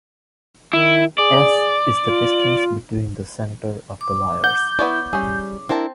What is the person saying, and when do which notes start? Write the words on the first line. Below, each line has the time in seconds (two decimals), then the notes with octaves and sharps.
"S" is the distance between the center of the wires.
0.73 D#3 E4
1.18 G#4 D5
2.07 F4
4.01 D6
4.44 F#5 G6
4.79 B3 E4 C#5 D5
5.13 G3 C#4 G#4
5.69 C4 D4 E4 A#4 A5